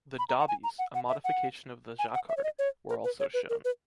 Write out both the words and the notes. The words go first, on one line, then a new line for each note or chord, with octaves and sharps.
The ‘dobbies’—a modification of the Jacquard—were also shown.
B5
A#5
F#5
G#5
A#5
F#5
F#5
E5
F#5
G#5
F#5
E5
C#5
D#5
C#5
A#4
B4
C#5
B4
A#4
B4